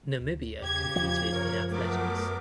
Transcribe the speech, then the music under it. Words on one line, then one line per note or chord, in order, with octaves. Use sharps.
Namibia competed in athletics.
D2
E2 C#3 G4 G#6
E2 F3
F#2 A#4 C#5
F#3 A3 B3 A#4 D6